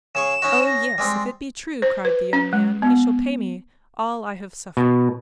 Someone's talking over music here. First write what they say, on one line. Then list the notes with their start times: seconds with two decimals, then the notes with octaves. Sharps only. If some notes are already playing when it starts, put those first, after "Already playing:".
"Oh, yes, if it be true," cried the young man, "he shall pay me all I have suffered."
0.15 C#3 G#4 C#6 E7
0.42 C#4 D#4 F#4
0.67 A#6
0.98 G3 G#3 C4
1.82 C5
2.05 B4
2.33 C#4
2.53 G#3
2.82 B3
4.77 B2